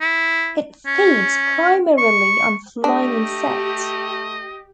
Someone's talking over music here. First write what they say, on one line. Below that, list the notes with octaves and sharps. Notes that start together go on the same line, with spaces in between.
It feeds primarily on flying insects.
E4
C#4
C#6
A3 D4 G4 D#5